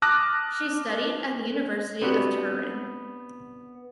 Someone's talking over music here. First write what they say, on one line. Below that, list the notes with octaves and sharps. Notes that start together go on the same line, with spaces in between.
She studied at the University of Turin.
A5 D6 D#6 F6 F#6 A#6
B3 C4 D4 F#4 G4